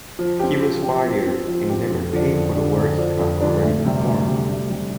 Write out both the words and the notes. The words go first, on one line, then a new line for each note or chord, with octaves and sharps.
He was fired and never paid for the work he had already performed.
F3
C4 G4
F3
C4 G4
F3
C4 G4
F3
C4 G4
F2
D3 F3 D4
F2
D3 F3 D4
F2
D3 F3 D4
F2
D3 F3 D4
D2
C3 G3
D2
C3 G3
D2
C3 G3